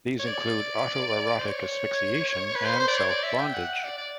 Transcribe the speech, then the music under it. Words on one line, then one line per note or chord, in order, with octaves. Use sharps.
These include autoerotic asphyxiation and self-bondage.
C#5
D5
C5
C#5
B4
C5
C5
D5
C#5
D5
E5
G5
F#5
F#5
D5
D5